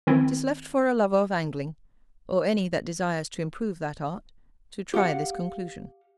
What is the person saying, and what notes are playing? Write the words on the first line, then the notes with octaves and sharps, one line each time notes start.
'Tis left for a lover of angling, or any that desires to improve that art, to try this conclusion.
D#3 C4 E4
G4 F5 F#5